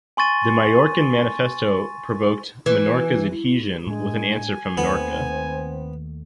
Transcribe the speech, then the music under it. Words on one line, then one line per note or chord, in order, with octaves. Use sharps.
The Mallorcan manifesto provoked Menorca’s adhesion with an answer from Menorca.
G#5 C6 C#6 A6 D#7
E3
A2 G#3 D4 G#5
D#2 D#3 A3 B3 C4